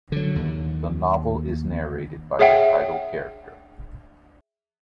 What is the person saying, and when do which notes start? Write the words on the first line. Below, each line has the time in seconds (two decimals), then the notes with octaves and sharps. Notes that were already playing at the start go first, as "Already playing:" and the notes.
The novel is narrated by the title character.
0.12 D3 F#3
0.36 D#2
2.39 G#4 C#5 E5 F#5 G5